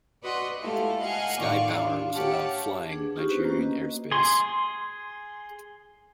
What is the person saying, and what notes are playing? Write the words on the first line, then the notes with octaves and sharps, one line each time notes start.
Skypower was allowed flying Nigerian airspace.
F#4 B4 D5 D#5 F#5 C6
G#3 A3 E4 F4 G4 A4
D#5 F5 F#5 G#5
A2 D#3 F4 D5 F5 C#6
D4 F4
G4 C#5 F5 F#5 A5
D4 G#4 B4
D4 D#4 F4 G4 C#6
B3 C#4 F#4 B4 C5
A#3 C#4 F#4
B4 D#5
G#4 C6